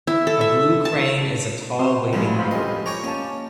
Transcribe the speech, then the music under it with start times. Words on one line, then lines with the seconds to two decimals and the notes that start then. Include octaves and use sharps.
A blue crane is a tall wading bird.
0.07 E4
0.27 A4
0.41 E5
0.85 A5
1.79 C4 F#4 C6
2.13 C2 F#2 A2 F3 G3 G#3 B5
2.36 C5 F5 B5
2.51 C#4 F4 G4 A4 D#5 G#5
2.86 C#5 G5 G#5 A#5 C#6 D6
3.04 A#3 C#4 A5